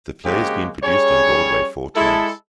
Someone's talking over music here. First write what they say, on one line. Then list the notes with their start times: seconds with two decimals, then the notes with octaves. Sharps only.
The play has been produced on Broadway four times.
0.24 C#3 G#3 A#3 C4 F#4 G4
0.83 G3 C#4 G#4 C#5
1.96 G#3 E4 A4